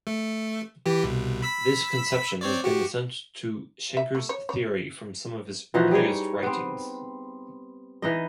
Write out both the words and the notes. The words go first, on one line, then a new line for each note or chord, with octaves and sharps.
This conception has been essential to Schenker's theory from some of his earliest writings.
A3
E3 G4
C2 B2
B5 E6 B6
C4 C#5 D5
F#4 G4
E5
A3
C#5
C#5
E3 F3 D#4 F#4
G3 D#4 G#4 C#5
B3 C4
E3 D#4 D#5